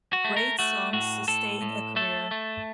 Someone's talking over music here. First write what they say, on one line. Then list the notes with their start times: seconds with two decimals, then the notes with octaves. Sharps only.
Great songs sustain a career.
0.13 F#4
0.25 A3
0.37 A#4
0.59 A3 F#4
0.93 A2 F#4
1.28 A2 A4
1.62 A2
1.96 A3 A4
2.31 A3